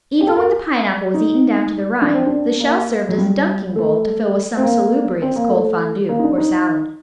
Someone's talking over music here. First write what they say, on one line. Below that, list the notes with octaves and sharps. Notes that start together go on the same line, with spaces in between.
Even when the Pineapple was eaten down to the rind the shell served as a dunking bowl to fill with some salubrious cold Fondue or salad.
G4
A4
A#4
D#4
D4
C4
D4
A#3
F#3
G3
A3
C4
A#3
C4
A#3
A3
A#3
D#4
D4
D#4